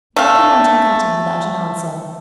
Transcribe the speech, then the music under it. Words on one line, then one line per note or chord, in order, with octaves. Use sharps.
Malcolm went on cutting, without an answer.
A3 F5